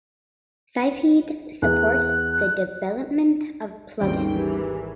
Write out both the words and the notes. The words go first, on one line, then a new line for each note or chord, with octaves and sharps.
Sylpheed supports the development of plug-ins.
E2 F#6
G#1 D#2 G3 C4 C#4 G5
E3 G4